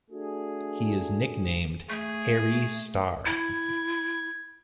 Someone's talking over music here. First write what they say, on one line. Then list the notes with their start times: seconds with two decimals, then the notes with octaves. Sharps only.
He is nicknamed "Hairy Star".
0.11 A3 D4 F#4 G#4
1.89 A3 G#4
3.26 E4 G#6